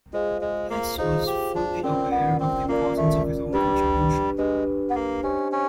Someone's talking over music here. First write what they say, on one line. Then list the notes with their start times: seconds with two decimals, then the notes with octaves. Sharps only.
Hess was fully aware of the importance of his own contribution.
0.13 G#3 F4 G#4 C5 F5
0.41 G#3
0.70 A#3
0.98 D#4 F4 G#4 C5 F5
1.27 G4
1.55 D4
1.83 C4 C#4 F4 A#4 D5
2.11 B3
2.40 C4
2.68 A#3 C#4 F4 A#4 D5
2.97 A3
3.53 G3 D4 G4 B4
4.38 G#3 D4 G4 B4
4.90 B3
4.95 A#3
5.23 C#4 D4 G4 C5 D#5
5.52 C#4